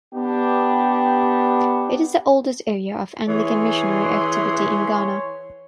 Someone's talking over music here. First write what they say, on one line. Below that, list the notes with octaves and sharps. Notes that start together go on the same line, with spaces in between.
It is the oldest area of Anglican missionary activity in Ghana.
B3 D4 G4
E3 G#4 C#5 G#5 C6